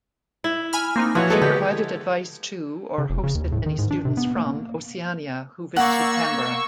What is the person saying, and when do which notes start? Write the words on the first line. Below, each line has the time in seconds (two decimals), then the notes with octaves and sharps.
She provided advice to or hosted many students from Oceania who visited Canberra.
0.44 E4
0.73 G#5 B5 F6
0.96 A#3 C4 D#4
1.15 E3 F3 F#4 C#5
1.30 G#3 B3 A4
1.42 D3 G4
2.98 C#3
3.10 F1
3.23 C#3
3.35 D#2
3.52 A2
3.66 D#3
3.79 G#2
3.91 D4
4.05 C3
4.17 B3
4.36 A#3
5.76 A#3 D5 F#5 C#6 E6